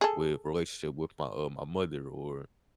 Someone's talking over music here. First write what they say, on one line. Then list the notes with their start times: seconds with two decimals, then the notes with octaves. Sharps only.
with relationship with my, uh, my mother or
0.01 G#4 A4